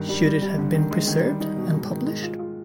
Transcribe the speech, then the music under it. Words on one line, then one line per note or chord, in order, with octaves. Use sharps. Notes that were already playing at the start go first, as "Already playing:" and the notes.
Should it have been preserved and published?
Already playing: G2 D#3
G3
G3
G3
D3
D#3
G#3
D#3
G3
D#4
B2
G#2
D#3
G#3
F4
F4